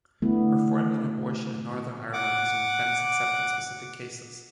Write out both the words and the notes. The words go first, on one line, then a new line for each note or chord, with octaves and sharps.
Performing an abortion in Northern Ireland is an offence except in specific cases.
D3 A3 B3 E4
F#5 D6